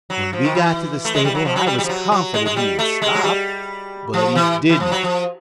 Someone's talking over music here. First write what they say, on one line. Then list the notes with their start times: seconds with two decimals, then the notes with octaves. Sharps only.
When we got to the stable I was confident he would stop, but he didn't.
0.10 F#3
0.33 F3
0.44 D#3
0.55 E3
1.05 A3
1.15 G#3
1.25 G3
1.35 F#3
1.45 F3
1.56 F#3
1.67 G3
1.78 G3
1.84 F3
1.89 F#3
2.12 F#3
2.34 G#3
2.46 G#3
2.56 G3
2.79 A3
3.02 G#3
3.15 F#3
3.24 G3
4.14 F3
4.35 E3
4.69 E3
4.80 F3
4.91 F#3
5.03 F3